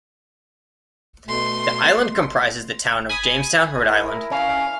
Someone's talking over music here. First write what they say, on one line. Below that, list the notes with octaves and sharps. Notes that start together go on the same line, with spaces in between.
The island comprises the town of Jamestown, Rhode Island.
B2 A3 C6
G#5 B5 D#6
E4 A#4
C#4 F5